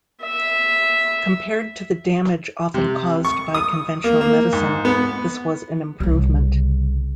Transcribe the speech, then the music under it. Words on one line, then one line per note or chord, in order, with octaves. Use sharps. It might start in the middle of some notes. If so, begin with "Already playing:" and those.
Compared to the damage often caused by conventional medicine, this was an improvement.
E5
C3
C#6
D#6
A#3
A#3
G#2
B3
C2 C#3